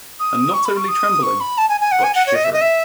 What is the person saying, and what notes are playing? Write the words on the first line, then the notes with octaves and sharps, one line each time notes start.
And not only trembling, but shivering.
D#6
C#6
B5
C#6
D#6
C#6
B5
A5
G#5
G#5
F#5
G#5
F#5
C#5
D#5
E5
D#5
E5